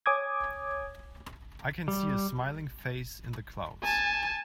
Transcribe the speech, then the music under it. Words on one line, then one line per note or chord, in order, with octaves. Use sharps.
I can see a smiling face in the clouds.
C#5 G#5 D6 D#6 G#6
G3
G#5 A5